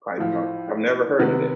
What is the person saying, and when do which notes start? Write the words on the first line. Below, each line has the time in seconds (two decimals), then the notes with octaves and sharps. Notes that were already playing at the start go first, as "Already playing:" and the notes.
Python. I've never heard of that.
0.18 A2 F3
1.19 C3 D#3 B3